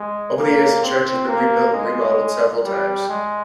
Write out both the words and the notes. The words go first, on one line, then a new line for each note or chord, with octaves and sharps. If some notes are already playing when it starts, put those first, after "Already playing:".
Over the years the church has been rebuilt and remodeled several times.
Already playing: G#3
A#3
C4
A#3
G#3
G3
G#3